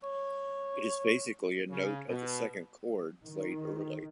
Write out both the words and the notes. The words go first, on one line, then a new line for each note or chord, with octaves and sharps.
It is basically a note of the second chord played early.
C#5
C#3
B2
D#3